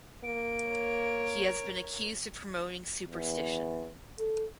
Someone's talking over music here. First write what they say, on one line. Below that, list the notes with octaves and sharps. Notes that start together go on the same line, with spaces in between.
He has been accused of promoting superstition.
A#3 D7
A#4 C#5
E2
A4